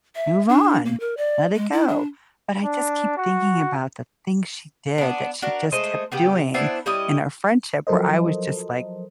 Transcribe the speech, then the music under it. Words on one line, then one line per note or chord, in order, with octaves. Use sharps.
move on. Let it go." But I just keep thinking about the things she did that she just kept doing in our friendship where I was just, like
E5
D4
A#3
A#4
D5
G#3
E4
D4
D4
F#4
B3 D4
D4 F#4 A#4
G#3 A3 C5 D#5
C#3 B3 G4
B3 D4 E4 C5
G3 C#4 E4 D#5
F3 F#3 A4 A#4 C5 D#5